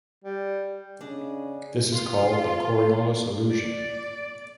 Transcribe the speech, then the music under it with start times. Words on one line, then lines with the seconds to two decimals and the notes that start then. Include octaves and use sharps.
This is called the Coriolis illusion.
0.24 G3
1.01 C#3 D4 G#4 D#5
1.93 F4
3.50 D5